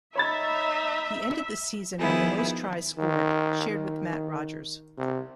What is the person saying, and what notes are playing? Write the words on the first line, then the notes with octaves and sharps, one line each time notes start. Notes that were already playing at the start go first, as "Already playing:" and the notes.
He ended the season with the most tries scored, shared with Mat Rogers.
D#4 C#5 E5 B5 A6
D#3 F3 B3 E4 G#4
D#3
D#3
C3